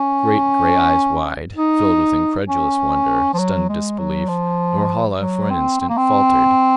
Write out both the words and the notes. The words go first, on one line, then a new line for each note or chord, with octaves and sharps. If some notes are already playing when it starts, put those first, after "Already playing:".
Great gray eyes wide, filled with incredulous wonder, stunned disbelief, Norhala for an instant faltered.
Already playing: C#4
D#4
C#4
F3
F#3
G#3
F#3
F3
F#3
C4
C4
A#3
C4